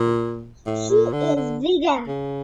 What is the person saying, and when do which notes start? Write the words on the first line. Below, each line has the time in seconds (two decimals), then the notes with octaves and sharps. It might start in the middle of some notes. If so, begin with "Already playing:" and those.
She is vegan.
Already playing: A#2
0.66 A2
0.90 A#2
1.13 D3
1.36 D3
2.07 C#3